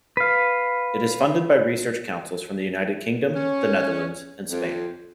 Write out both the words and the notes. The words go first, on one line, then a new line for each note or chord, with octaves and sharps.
It is funded by research councils from the United Kingdom, the Netherlands and Spain.
B4 F5
C#4
F2